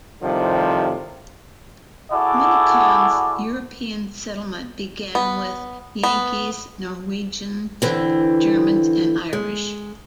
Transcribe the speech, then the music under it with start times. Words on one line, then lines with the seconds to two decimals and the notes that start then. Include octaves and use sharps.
Winneconne's European settlement began with Yankees, Norwegians, Germans, and Irish.
0.22 A2 C3 D#3 F3 G3
2.12 E4 F#4 G#4 A4 D5 F#5
5.15 B3
6.04 B3
7.82 D3 E3 C4
9.33 G#3